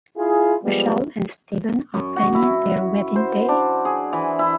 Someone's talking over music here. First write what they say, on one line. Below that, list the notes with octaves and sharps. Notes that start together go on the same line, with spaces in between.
Michelle and Stephen are planning their wedding day.
E4 F4 G#4
F3 G3 G#3 B3
F#2
F#4
E4
C5
D4
G#4
E3
E4